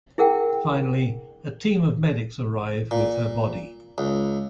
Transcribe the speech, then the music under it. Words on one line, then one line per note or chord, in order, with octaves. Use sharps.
Finally a team of medics arrive with her body.
E4 G#4 A#4 F#5 G5
A#2
C#2